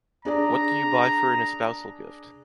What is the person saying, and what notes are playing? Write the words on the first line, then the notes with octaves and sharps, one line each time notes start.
What do you buy for an espousal gift?
D4 G#4 D5 A#5